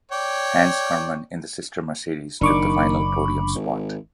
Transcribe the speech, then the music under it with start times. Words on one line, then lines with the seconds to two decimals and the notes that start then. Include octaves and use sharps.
Hans Herrmann in the sister Mercedes took the final podium spot.
0.12 C#5 D5 G5
2.41 F#1 D#3 D4 B5 C#6 D6
3.55 G#1